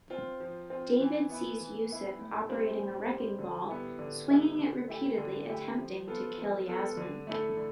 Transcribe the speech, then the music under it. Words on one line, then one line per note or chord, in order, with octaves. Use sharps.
David sees Yussef operating a wrecking ball, swinging it repeatedly attempting to kill Yasmin.
C4 F4
F3
C4 F4
E3
B3 E4
E3
B3 E4
A2
G3 C4
A2
G3 C4
D3
G3 B3 E4
D3
G3 B3 E4
D3
A3 E4 G4
D3
A3 E4 G4
F3
B3 F4 A4
F3
B3 F4 A4
D3
A3 E4 A4
D3